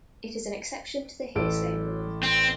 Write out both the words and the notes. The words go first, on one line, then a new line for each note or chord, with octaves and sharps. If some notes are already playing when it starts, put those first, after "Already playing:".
It is an exception to the hearsay rule.
A1 A4 D7
C4